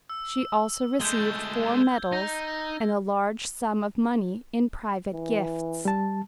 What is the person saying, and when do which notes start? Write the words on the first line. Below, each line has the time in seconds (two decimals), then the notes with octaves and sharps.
She also received four medals, and a large sum of money in private gifts.
0.10 E6
1.00 G#3 A3 G6 G#6 G7
2.12 D#4 A#6
5.13 E3
5.85 G3 A5